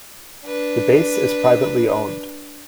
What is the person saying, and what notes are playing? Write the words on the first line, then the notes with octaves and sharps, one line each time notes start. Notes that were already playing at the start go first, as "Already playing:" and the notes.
The base is privately owned.
D4 B4